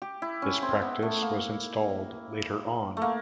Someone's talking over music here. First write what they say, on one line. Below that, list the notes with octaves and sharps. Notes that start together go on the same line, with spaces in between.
This practice was installed later on.
G4
E4
C#4
C4
B3
A3
A#3
A3 A#3